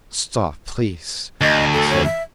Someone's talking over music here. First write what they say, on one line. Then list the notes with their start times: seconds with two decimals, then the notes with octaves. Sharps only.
"Stop, please," I said.
1.41 D2 D#5
1.73 A4
1.89 C#5
2.04 E5